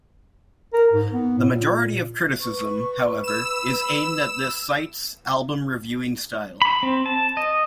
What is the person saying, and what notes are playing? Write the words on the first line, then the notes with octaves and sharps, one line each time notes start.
The majority of criticism, however, is aimed at the site's album reviewing style.
A#4
G#2
B3
A2
A#2
B4 C#6
B5 E6 E7
B5
C4
A5
D#5